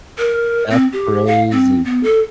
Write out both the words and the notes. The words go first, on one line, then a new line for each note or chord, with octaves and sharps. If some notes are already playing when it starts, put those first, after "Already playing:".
That's crazy.
A#4
C4
G4
F5
C4
B3
A4